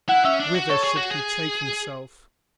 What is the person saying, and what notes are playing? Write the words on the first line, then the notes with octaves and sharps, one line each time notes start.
Whither should he take himself?
E4 F#5 F#6
C#4 E5 E6
D4
F#4
A4 C#5 C#6
G#4
F#4
G#4